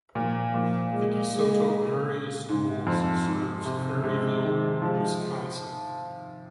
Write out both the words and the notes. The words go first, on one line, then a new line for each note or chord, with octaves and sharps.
The De Soto Area Schools serves Ferryville, Wisconsin.
A#2 F3
A#2 F3
G#3
G#3
G#2
F2
G#2
C3
C3 G#3
D#3
F3 G#3